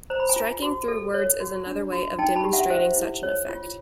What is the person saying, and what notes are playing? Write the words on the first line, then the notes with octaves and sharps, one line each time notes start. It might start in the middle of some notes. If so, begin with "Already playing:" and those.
Striking through words is another way of demonstrating such an effect.
C5 A#5
B5
G#5 A#5
F4
F#4
A4
C#5
F#4
D4
F#4
D#4 G5 A5
A5 B5
G4
E5 F#5
C5 E5 F#5
E4
C#5
F4